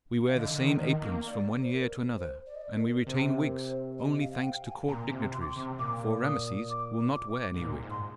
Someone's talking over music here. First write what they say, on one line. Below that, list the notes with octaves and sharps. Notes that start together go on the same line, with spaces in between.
We wear the same aprons from one year to another, and we retain wigs, only thanks to court dignitaries, for Rameses will not wear any wig.
F5
D3 D#5
D3
D#3
D#3 D#5
A#3
D5
C5
A#4
C5
D5
D#5
D5
A#4
C3 C5
A#4
C5
D#5
F5
F5
G5
G#5
A#2 A#5
C3
C6
D6
C6
C3
A#2 D6
D#6
D6
D6
G#2
A#2
G#2
C6